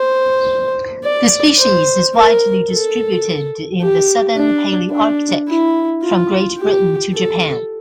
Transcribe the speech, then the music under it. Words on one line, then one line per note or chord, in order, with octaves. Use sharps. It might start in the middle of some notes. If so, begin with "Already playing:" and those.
The species is widely distributed in the southern Palaearctic from Great Britain to Japan.
Already playing: C5
D5
C5
A#4
A4
G4
D4
D4
E4
F4
G4
A4